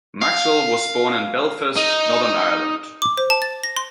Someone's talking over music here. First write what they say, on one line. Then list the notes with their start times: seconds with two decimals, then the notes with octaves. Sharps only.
Maxwell was born in Belfast, Northern Ireland.
0.22 F5
1.78 D#4
3.02 D6
3.17 C5
3.30 A5
3.42 A6
3.64 A#6
3.77 C6